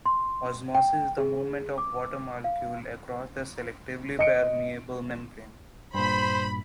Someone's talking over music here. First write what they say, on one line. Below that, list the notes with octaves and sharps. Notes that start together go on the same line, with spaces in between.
Osmosis is the movement of water molecules across a selectively permeable membrane.
C6
G5
G#4
D6
F5
D#5 C#7 D7
G2 A#2 C5 B5